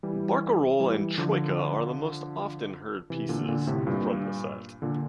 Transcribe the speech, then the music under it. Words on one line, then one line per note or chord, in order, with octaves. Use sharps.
"Barcarolle" and "Troika" are the most often-heard pieces from the set.
E3 G3
E3 G3
D3 F3
C3 E3
A#2 D3
A#2 D3
A2 C3
G2 A#2
A#2 D3